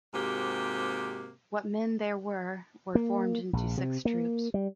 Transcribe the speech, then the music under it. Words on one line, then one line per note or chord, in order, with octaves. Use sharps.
What men there were, were formed into six troops.
G#2 C3 A#3 F#4 G4
A#3
A#1
C3
A#3
G3